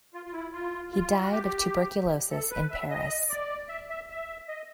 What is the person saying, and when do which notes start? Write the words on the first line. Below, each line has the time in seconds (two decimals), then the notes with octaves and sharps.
He died of tuberculosis in Paris.
0.14 F4
0.25 F4
0.33 E4
0.53 F4
0.92 F4
1.20 F#4
1.32 G4
2.31 A4
2.51 B4
2.70 E5
2.90 D#5
3.29 D5
3.69 E5
3.90 E5
4.10 E5
4.48 D#5